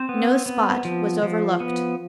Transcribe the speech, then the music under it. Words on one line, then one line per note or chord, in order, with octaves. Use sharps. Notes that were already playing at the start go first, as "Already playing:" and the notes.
No spot was overlooked.
Already playing: C4 C5
B3
B3
F3
F3
B3